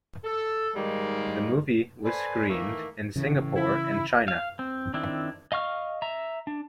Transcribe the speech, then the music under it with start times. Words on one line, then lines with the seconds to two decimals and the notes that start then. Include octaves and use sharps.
The movie was screened in Singapore and China.
0.24 A4
0.75 G#2 D#3 G3 G#3 A#3
2.04 A4 B4 C5 D5 G#5
2.49 D#3 E3 A3 A#3
3.16 A2 C#3 E3
3.55 E4
4.28 F5
4.59 C4
4.94 D#3 C4 D4 E4
5.52 D#5 F5 C#6 F6
6.02 E5 A#5
6.47 D4